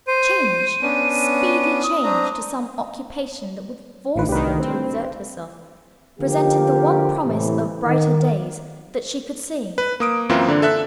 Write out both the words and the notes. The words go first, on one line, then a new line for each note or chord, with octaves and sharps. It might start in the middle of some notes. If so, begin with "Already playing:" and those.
Change, speedy change, to some occupation that would force her to exert herself, presented the one promise of brighter days that she could see.
C5 D#7
B3 C#4 D4
D#6
C4 D4 A#5
A1 D2 D#3 B4
C2 D#3 G4 B4
C4
D3 F3 A#3 G4
A2 C3 E3
D#3
B4
A#3 D#6 D7
F#2 E3 A#3 C4 E4 F4
D3 D4
A4 E5 F#6